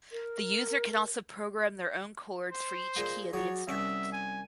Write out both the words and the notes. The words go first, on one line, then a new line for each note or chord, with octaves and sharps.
The user can also program their own chords for each key of the instrument.
A#4
C5
A#2 G#3 A#3
F#3 G#4 C#5 D5
C2 C#4 E5 F#5
G#5